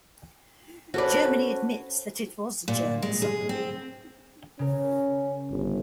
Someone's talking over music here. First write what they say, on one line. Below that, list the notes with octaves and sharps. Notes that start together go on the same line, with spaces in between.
Germany admits that it was a German submarine.
C#4 F#4 A4 B4 C5 D5
A#2
G#3
G#4
C4
C#3 C#4 A#4
G1